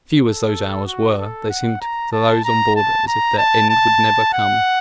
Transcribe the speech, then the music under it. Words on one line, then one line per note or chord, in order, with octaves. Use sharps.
Few as those hours were, they seemed to those on board as if their end would never come.
A4
F#4
A4
F#5
A#5
A5
A#5
A5
A#5
A5
A5
F#5